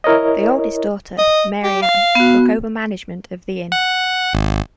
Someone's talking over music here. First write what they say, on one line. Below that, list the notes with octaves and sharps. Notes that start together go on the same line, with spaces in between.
The oldest daughter, Mary Ann, took over management of the inn.
E4 A#4 C#5 D#5
D#5
G4
F5
B3 F#4
F#5
G#1